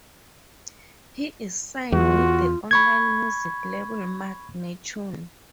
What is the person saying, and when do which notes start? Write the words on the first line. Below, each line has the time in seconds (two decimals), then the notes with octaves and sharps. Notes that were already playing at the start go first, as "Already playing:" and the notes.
He is signed with the online music label Magnatune.
1.92 E2 F4 F#4
2.71 B5 C#6 G#6